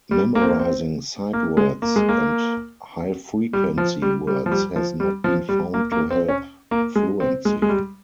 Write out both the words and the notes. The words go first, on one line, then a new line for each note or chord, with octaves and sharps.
Memorizing sight words and high frequency words has not been found to help fluency.
G3
A#3
C4
A#3
C4
A#3
G#3
A#3
G#3
A#3
G3
F3
G3
G3
F3
G3
F3
G3
F3
G3
A#3
A#3
C4
C#4
A#3
G#3
C4
G#3
G#3
G3